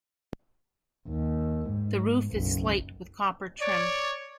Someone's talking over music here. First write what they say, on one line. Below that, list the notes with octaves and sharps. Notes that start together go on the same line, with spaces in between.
The roof is slate with copper trim.
D#2
G#2
F#1 B1
C#5 D5